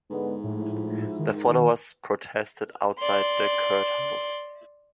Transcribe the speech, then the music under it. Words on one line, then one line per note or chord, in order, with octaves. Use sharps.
Their followers protested outside the courthouse.
G#2 D3 G#3 B3
A2 F3 E4
D#3
D5 C6